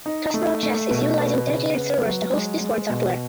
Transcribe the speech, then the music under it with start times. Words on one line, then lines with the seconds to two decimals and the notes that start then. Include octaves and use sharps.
Kasparov Chess is utilizing dedicated servers to host Discord software.
0.06 D#4
0.34 A3
0.63 A3
0.91 B2
1.19 B3
1.47 C#3
1.76 B3
2.05 F#3
2.32 G#3
2.61 G#3
2.89 B2